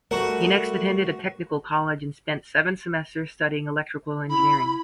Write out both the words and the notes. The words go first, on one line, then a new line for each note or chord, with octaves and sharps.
He next attended a technical college and spent seven semesters studying electrical engineering.
G3 A3 F#4 A#4 F#5
E4 B5